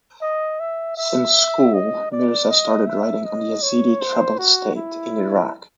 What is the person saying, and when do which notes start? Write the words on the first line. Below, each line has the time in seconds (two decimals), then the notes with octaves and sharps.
Since school Mirza started writing on Yazidi troubled state in Iraq.
0.22 D#5
0.60 E5
0.97 E5
1.74 D#5
2.12 D5
2.49 D#5
2.87 E5
3.25 D#5
3.62 C#5
4.01 C5
4.38 F#4
4.76 E4